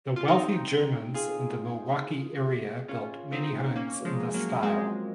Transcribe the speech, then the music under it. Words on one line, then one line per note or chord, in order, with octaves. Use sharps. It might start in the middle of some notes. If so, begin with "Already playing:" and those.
The wealthy Germans in the Milwaukee area built many homes in the style.
F4
C4 D#4
F4 G#4
C#4 F4
C4 D#4
A#3 C#4
F3 G#3
F#3 A#3
G#3 C4